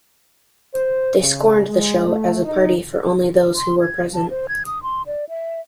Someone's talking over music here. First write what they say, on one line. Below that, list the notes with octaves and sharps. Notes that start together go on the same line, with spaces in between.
They scorned the show as a party for only those who were present.
C5
C#3
G#3
A3
D#4
C6
G#6
A5
C5
G#6
D#6
C6
D5
E5